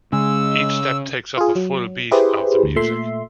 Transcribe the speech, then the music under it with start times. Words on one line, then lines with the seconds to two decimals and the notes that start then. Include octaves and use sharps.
Each step takes up a full beat of the music.
0.13 C#3 G#3 E6
1.37 F4 G#4
1.55 F#3
2.11 E4 G4 G#4 B4 C5
2.64 D2
2.76 A#2 A3 E5 C6